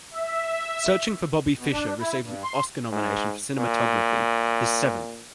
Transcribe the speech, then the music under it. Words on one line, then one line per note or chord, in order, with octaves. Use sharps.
"Searching for Bobby Fischer" received an Oscar nomination for cinematography, his seventh.
E5
B2
D4
E4
G2
C6
G#2
A#2